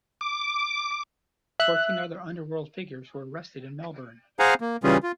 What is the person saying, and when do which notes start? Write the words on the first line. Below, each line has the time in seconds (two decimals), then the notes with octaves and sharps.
Fourteen other underworld figures were arrested in Melbourne.
0.21 D6
1.60 E5 F#6
4.39 G#4 C5 F5 F#5 G#5 A#5
4.61 A#3
4.84 C#3 E3 G3 C#4 F4 G#4
5.03 F4